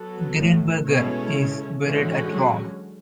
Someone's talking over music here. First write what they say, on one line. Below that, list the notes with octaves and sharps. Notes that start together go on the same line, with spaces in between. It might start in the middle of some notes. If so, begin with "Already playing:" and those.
Grienberger is buried at Rome.
Already playing: F#3 B3 F#4 A4
A2
B2 G#3 C#4 E4 A4 C#5
C#3
D3 E3 G#3 C#4 F#4
F#3